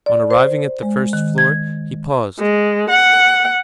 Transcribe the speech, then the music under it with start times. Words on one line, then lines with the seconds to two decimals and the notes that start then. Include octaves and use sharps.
On arriving at the first floor, he paused.
0.06 D5
0.31 C5
0.82 G#3
1.13 D#3
1.38 G#6
2.39 G#3
2.90 F#5